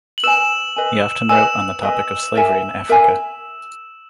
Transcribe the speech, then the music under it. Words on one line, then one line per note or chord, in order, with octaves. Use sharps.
He often wrote on the topic of slavery in Africa.
F#7
B4 D#5 G#5 E6 E7
B4 D#5 G#5
B4 D#5 G#5 E6 E7
B4 D#5 G#5
A#4 E5 G#5
A#4 E5 G#5